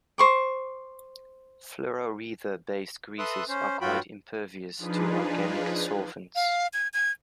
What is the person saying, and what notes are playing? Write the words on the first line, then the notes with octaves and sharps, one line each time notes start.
Fluoroether-based greases are quite impervious to organic solvents.
C5 C#6 D6
A4 B4 E5 C6 D#6 F#6
C#4 C5
G2 F#3 F4 F#4 G5 B5
F3 D4 D#4 F4 G#4 B4
F5
G#6
G#6